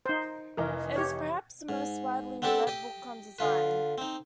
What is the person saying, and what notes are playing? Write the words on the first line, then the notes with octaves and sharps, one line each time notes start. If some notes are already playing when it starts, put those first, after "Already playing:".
It is perhaps the most widely read book on design.
D#4 C5
F1 E3 A#4 D#5
G4 C#5
G#2
B3 C4 D4 G4 A4
G4 D#5
D3 F4 B4
C4 D#4